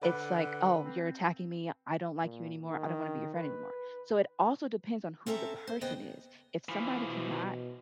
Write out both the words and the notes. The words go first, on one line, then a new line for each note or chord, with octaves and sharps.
It's like, "Oh, you're attacking me. I don't like you anymore. I don't wanna be your friend anymore." So, it also depends on who the person is. If somebody cannot
D3 B4 D5 F#5
C4
A#2
D#3
B4
C4 C#4 A4 E5 A#5
C5
D#2 C#3 B3 C5 D#5 G5
E3 F3
B2